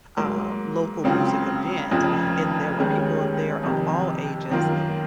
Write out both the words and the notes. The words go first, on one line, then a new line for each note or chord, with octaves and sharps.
um, local music event and there were people of there of all ages.
G#2 F#3 A#3
C#2 C#3 F#3 C4 F4
F1 F2 C#3 F3
D#2 D#3 G#3 C#4 G#4
F2 C3 D#3
F#2 D#3 A#3 F4